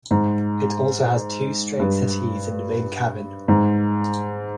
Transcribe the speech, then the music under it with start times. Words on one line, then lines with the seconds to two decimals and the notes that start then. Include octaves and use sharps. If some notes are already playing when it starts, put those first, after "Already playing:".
It also has two straight settees in the main cabin.
0.11 G#2
1.79 G2
3.48 G#2